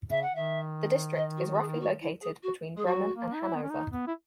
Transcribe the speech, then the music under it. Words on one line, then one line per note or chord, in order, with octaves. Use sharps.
The district is roughly located between Bremen and Hanover.
C#3 E5
F#5
D#3 E5
D#5
F#4
F#4
G#4
E4
F#4
E4
G#4
F#4
G#3 G#4
F#3 F#4
A#3
D#4
E4
B3
C#4
D#4
B3
E4